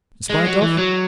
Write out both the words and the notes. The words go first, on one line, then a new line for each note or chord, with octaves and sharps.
In spite of?
G#3
F#3
E3
F#3